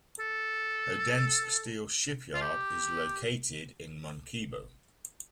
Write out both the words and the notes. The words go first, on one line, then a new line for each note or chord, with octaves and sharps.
Odense Steel Shipyard is located in Munkebo.
A4
F4
G4